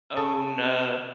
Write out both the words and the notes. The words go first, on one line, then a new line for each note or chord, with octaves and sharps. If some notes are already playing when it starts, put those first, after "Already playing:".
own, uh,
A4